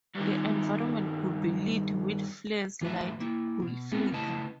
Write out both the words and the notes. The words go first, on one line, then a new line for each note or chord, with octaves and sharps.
The environment could be lit with flares, lights could flicker.
G2 D#3
E3 A3 F#4 B4 E5
A#3 E4
B2
A3 B3 C4 E4 A#4
C#3 A3 E4 B4 D#5 A5